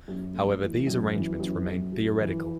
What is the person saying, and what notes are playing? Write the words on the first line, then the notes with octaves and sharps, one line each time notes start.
However, these arrangements remained theoretical.
F#2
A3
E3
F#2
E3
F#2
F#2
F#2
E3